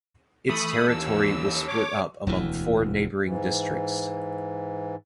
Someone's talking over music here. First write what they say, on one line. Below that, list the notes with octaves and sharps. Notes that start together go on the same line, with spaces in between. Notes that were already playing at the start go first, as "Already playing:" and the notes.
Its territory was split up among four neighboring districts.
E3 A3 B5 D#6
D#2 C#4 A4 E6
C#5 D6
E1 D2 E3
G#2 E3